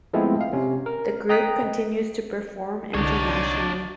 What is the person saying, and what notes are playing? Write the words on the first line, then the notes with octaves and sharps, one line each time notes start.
The group continues to perform internationally.
F3 G#3 A3 B3 C4 E4
F5
C3 C#4
A#4
D#5 G5 A#5 D#6 F#6 B6
C2 D3 D4 D#4 C#5 D5